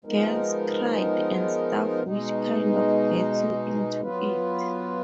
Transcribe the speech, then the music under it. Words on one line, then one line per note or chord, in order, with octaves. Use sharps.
Girls cried and stuff which kind of gets you into it.
F3 G#3 B3 D#4 A#4
B2 G#3 D#4
F#3 B3 F4 B4